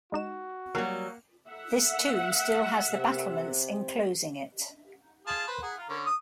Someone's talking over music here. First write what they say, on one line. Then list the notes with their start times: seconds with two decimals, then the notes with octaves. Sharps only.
This tomb still has the battlements enclosing it.
0.12 G#3 D#4 F#4 E7
0.75 F#3 G3 A#3 A#4 F#5
1.49 E5 F#5
2.87 C3
5.27 F4 G#4 A5
5.48 B4 C5
5.62 G#4 F#5
5.78 F4
5.89 D3 C#4
6.07 D#6